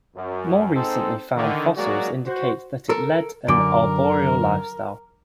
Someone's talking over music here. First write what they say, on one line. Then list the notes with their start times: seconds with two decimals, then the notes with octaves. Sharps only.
More recently found fossils indicate that it led an arboreal lifestyle.
0.16 F#2
0.75 G#2 C4 D#4 A4 C5
1.36 D3 D#3
1.76 F#3 G#3 A#3 F#4 D5
2.27 F#4 C5
2.89 A4 A#4
3.48 F#2 D3 A#4 D6 D7